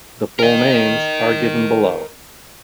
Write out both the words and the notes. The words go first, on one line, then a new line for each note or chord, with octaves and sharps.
The full names are given below.
A#4 D#5